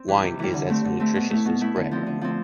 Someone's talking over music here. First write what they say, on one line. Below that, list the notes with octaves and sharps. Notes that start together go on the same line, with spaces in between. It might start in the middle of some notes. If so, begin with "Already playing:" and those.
Wine is as nutritious as bread, or more.
Already playing: C4
E3 G3
C3
E3 G3
D3
A3 C4
D3
A3 C4
B2
A3 E4
B2
A3 E4
D3
F3 C4
D3
F3 C4